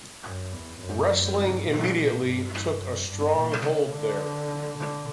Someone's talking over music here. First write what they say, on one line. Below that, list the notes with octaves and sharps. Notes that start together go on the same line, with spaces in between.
Wrestling immediately took a strong hold there.
F#2
E2
F#2
G2
A#2
G2
G2
F#2
G2
A#2
C#3
D3
D3